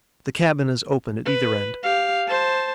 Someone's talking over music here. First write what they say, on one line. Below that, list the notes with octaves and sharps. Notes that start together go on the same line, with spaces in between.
The cabin is open at either end.
B4
G4 F5
C5 A5